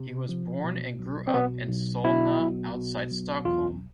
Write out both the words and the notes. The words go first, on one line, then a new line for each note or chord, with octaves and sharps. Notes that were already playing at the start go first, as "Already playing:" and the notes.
He was born and grew up in Solna outside Stockholm.
Already playing: C3
F3
B2
B1
C4
B2 B3
B1
B2 E4
B1
B2
B1
E2 F4